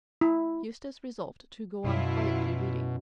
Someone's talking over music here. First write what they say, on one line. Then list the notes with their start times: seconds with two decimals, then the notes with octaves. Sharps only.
Eustace resolved to go on quietly reading.
0.21 E4
1.84 F#2 B2 F#3 E4 F4